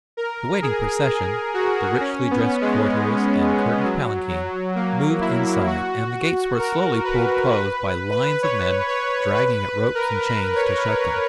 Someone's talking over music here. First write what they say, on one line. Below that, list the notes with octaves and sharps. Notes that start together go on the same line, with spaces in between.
The waiting procession, the richly dressed courtiers and curtained palanquin, moved inside and the gates were slowly pulled close by lines of men dragging at ropes and chains to shut them.
A#4
G#4
G#4
F#4
C#4
B3
G#3
F#3
F#3
A#3
E4
F#4
A#4
B4
B4
B4
C#5
C#5
B4
B4
A#4
B4
C#5
B4